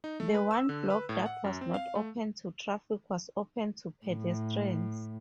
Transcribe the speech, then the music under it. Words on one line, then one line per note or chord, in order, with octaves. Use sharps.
The one block that was not open to traffic was open to pedestrians.
D#4
A3
B4
E6
D3
B4
A2
F#5
F#2
C4
F5
A3
A2